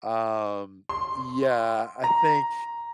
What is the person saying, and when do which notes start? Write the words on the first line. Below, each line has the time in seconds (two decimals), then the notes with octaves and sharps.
um, yeah, I think
0.89 C6
2.04 A#5